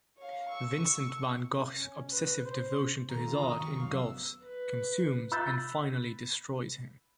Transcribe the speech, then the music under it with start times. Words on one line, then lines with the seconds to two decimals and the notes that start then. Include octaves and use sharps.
Vincent van Gogh's obsessive devotion to his art engulfs, consumes and finally destroys him.
0.18 C#5 F5
0.50 C#6 E6
1.72 C#4
2.11 B4
2.45 C5
3.09 D#3 A3 A#5
3.27 F4
3.42 G#1 D#6
3.59 D#3 C4 C#6
3.80 F#2 F5
3.95 B3 E6
4.42 B4
5.32 B5 E6 F#6 G6 A6